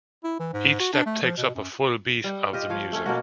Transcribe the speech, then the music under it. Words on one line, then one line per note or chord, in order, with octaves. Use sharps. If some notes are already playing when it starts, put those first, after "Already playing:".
Each step takes up a full beat of the music.
E4
E3
G#2
F#4
D4
A3
F3
B2
F#2
G3
F4 G4 D#5
F3 G4 C#5 F5
A3 C#4
B2 A#3 F#4